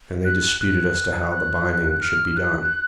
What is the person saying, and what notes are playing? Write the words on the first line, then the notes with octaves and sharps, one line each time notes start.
And they disputed as to how the binding should be done.
F#6
F#6
F#6
F6
F#6